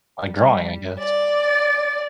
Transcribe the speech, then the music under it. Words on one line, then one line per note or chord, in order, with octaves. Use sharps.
Like, drawing, I guess.
G3
D5